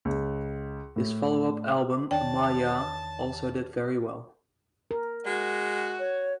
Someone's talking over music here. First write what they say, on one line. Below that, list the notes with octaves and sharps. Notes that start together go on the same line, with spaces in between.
His follow-up album, "Ma Ya" also did very well.
C#2
A2
E2 D#3 D4 C#5 G5 A5
A#4
G#3 F#4
C#5